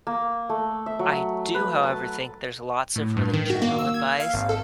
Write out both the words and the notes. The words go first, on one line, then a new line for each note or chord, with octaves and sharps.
I do, however, think there's lots of really general advice
A#3
A3
E5
F#3
B4
A5
A2
G2
D#3
F#4
A#3
E6
G#6
F5
G#1
A4